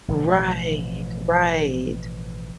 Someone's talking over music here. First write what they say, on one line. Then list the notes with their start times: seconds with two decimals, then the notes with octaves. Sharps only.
Right, right,
0.08 A1 B2 F3